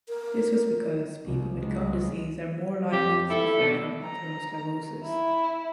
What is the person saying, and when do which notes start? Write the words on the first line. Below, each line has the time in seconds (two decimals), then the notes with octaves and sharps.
This was because people with gum disease are more likely to suffer from atherosclerosis.
0.09 A#4
1.25 C2
1.56 C#2 G#3
2.92 F2 G4
3.30 E4 A4
3.60 B2 D4
4.05 A#5
5.03 E4